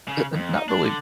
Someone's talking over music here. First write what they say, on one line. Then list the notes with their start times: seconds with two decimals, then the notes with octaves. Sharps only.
eh eh not really
0.08 C#3
0.36 F2
0.54 D#4
0.68 D4
0.84 D3